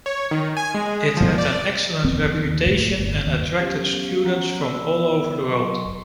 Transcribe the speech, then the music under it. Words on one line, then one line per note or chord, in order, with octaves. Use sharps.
It had an excellent reputation and attracted students from all over the world.
C#5
D#3
G#5
G#3
F3
D5
D1 A#1 E2 C4
D#3
D#2
A2
G1
D#2
F#3 B3 C#4 G4 F5
C#4 F#5 A#5
B3 D5 B5 E6
F#3 D#5 C6 C#6